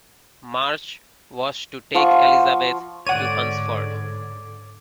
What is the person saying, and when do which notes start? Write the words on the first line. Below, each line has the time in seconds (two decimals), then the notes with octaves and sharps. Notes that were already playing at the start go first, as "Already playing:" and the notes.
March was to take Elizabeth to Hunsford.
1.95 F3 F4 F#5 C#6
3.07 G#2 D3 C#5 D5 F#5 D#7